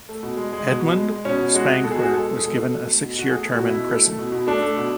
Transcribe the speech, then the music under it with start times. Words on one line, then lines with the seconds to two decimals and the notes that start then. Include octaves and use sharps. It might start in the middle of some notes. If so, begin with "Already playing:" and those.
Edmund Spangler was given a six-year term in prison.
0.09 A3
0.23 B2
0.37 G#3
0.53 G#3
0.67 B2
0.81 B2
0.96 G#3
1.11 G#3
1.25 B2 C#4
1.40 B2
1.54 G#3 F#4
1.69 G#3
1.84 B2 A4
1.91 G#4
1.98 B2 F#4
2.05 G#4
2.12 G#3 A4
2.28 G#3
2.36 G#4
2.43 B2 A4
2.56 B2
2.71 A3
2.86 A3
3.01 B2
3.15 B2 F#4
3.30 A3 G#4
3.45 A3 F#4
3.59 B2
3.68 E4
3.75 B2
3.89 A3
4.03 A3
4.18 B2
4.32 B2
4.47 A3 D4
4.62 A3
4.76 B2